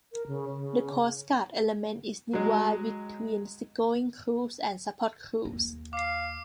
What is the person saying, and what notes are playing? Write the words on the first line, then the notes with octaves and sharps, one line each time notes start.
The Coast Guard element is divided between seagoing crews and support crews.
A#4
C#3
C#3
F#3 G#3
D#2 A#3
F5 D6 C7